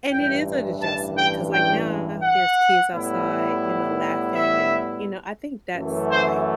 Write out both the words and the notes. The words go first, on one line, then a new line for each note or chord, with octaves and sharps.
and it is an adjustment. 'Cause, like, now there's kids outside, you know, laughing and, you know, I think that's, like,
A1 G2 E3 G5
A5
G5
G5
F#5
A2 G3 B3 E4
E5
F#2 E3 A3
C5